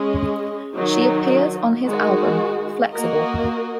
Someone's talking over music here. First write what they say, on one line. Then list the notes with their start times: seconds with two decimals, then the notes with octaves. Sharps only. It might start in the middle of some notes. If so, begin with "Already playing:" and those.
She appears on his album "Flex-Able".
Already playing: G#3 C#4 G#4 D#5
0.76 D#3 F#3 D#4
1.84 D#3 G#3 F#4
2.92 A#3 F#4 A#4 D#5